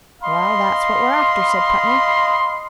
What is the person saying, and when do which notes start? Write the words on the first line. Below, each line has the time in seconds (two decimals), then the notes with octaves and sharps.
"Well, that's what we're after," said Putney.
0.22 D#5 F5 B5 C6